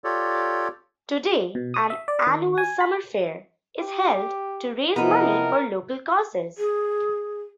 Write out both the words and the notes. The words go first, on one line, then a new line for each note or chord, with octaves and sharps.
Today an annual summer fair is held to raise money for local causes.
F4 G4 A4 C#5 D5
B2
D#6
E5
D5
D#3
G#5
B5
G4
C3 E3 F3 B3 D#4 E4 A#4
G#4